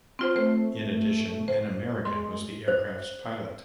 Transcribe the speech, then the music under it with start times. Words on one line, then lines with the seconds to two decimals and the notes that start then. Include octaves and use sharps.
In addition, an American was the aircraft's pilot.
0.19 C4 F4 C5
0.36 A3 C5
1.48 C5
2.05 G#3 C6
2.68 C5